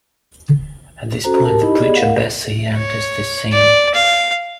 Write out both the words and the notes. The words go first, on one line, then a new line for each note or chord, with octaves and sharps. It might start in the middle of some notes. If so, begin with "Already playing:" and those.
At this point the preacher Bessie enters the scene.
C#4 F#4 A4 C5 A#5
G4 A#4 A5
D#4 E4 G4 D#5 B5
B3 G4 G#4 D5 D#5 B5
A3 E4 A#4 F5 F#5
C#5
D5
F5